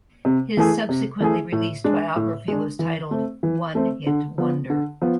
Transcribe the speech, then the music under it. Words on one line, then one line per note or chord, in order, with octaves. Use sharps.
His subsequently released biography was titled "One-Hit Wonder".
C3
E3 A3 E4 G#4
C3
E3 A3 E4 G#4
A2
G#3 D4
A2
G#3 D4
E3
A3 C4
E3
A3 C4
D3
F3 B3
D3
F3 B3